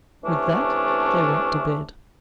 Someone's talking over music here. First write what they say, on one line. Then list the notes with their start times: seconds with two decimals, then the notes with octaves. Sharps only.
With that they went to bed.
0.24 C3 E3 A3 C#4 D4